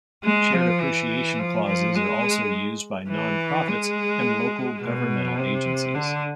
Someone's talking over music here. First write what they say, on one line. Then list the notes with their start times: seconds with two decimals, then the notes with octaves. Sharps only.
Shared Appreciation clauses are also used by non-profits and local governmental agencies.
0.24 G#3
0.53 F3
0.81 E3
1.39 F3
1.67 F3
1.96 G#3
3.10 E3
3.68 G#3
4.82 B2
5.39 C3
5.95 D3